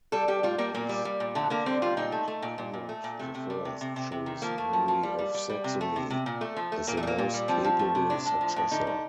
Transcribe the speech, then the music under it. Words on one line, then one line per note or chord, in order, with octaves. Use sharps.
On his deathbed Conrad I chose Henry of Saxony as the most capable successor.
G3 A4
G3 G4
G3 F4
G3 A#3
A#2 A#3
G3
G3
A#2
D3 A3
D3 A#3
G3 C4
G3 F4
A#2 D#4
A3
A3
A#2
A#2
A#2
A3
A#2
C3 A3
C3
G3
C3
C3
C3
C3
D#3
F3 A#3
A3
F3
F3
G3
G3
G3
G3
C3
A3
C3
C3
A#2
A3
F3
A3
A#2 A#3
A3
G3
A#3
A#2
G3
F3 C4
F3
A3
C3
A2 D4
A2
F3
A2
D3 D#4
D3